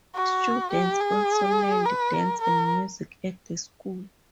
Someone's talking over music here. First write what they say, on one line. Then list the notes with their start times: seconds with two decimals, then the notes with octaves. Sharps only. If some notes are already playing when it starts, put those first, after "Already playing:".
Students also learned dance and music at the school.
0.15 F#4
0.72 G4
1.00 G#4
1.85 B4
2.14 A#4
2.42 A#4